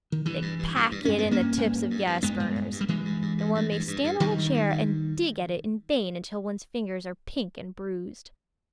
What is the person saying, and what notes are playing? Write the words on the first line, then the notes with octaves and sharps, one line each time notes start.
They pack it in the tips of gas-burners; and one may stand on a chair and dig at it in vain until one's fingers are pink and bruised.
D#3
G2 E3
G2
G2
G2
G2
G2 C#4
B3
G2
A#3 C#4
G2
G2
G2
G2
G2
G2 G#3 B3
G2
G2
G2
G3
G2 E3 G#3
G2
G2
G2
G2
G2
G2
G2
G2 D#3 G3
G2
G2
G2